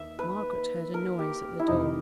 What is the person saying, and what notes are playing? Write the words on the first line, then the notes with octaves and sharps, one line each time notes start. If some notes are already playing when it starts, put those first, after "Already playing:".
Margaret heard a noise at the door.
Already playing: D#2 D#3 E5
B4
A#4
G4
E4
F1 F2 C3 E3 D#4